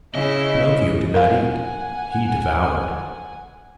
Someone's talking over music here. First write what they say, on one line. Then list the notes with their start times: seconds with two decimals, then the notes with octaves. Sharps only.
Pinocchio did not eat; he devoured.
0.15 C#3 E4 D#5
1.14 A#4 F5 F#5 G#5